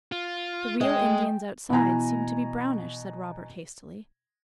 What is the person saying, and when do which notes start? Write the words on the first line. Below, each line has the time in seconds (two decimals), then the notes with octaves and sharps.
'The real Indians outside seem to be brownish,' said Robert hastily.
0.12 F4
0.81 G#3 D#5 G5 G#5
1.70 B2 E3 G#5 A#5